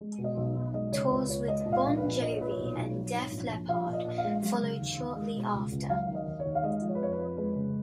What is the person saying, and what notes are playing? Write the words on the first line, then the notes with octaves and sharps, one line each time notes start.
Tours with Bon Jovi and Def Leppard followed shortly after.
G#3
B2
D#5
B1
B1
G#3 D#5
C#3 C#5
C#2 B4
C#2 C#5
G#3 D#5
A#2
F5
A#1
B4
A#1
F3 D#5
C#5
A#2 B4
C#5
B1
B1
F#3
G#2
A#1
A#1
F3 F5
A#2
D#5
A#1
F5
G#3
F#3
C#3
D#2
D#2
G#3
B2
C#2
C#2
F#3 F5
D#3
D#5
D#2
C#5
D#2
F5
G#3 D#5
F3
C#5
B4
F2 C#5
B4
F2
G#3 B4
C#3